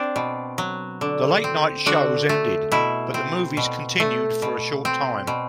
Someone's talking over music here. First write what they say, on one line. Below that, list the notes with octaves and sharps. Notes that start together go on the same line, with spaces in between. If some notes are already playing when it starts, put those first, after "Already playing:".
The late night shows ended, but the movies continued for a short time.
Already playing: C4 D4
B2
F#3
D3
C4
D3 F#4
A3
B2 E4
C4
B2
A3
B2
C4
B2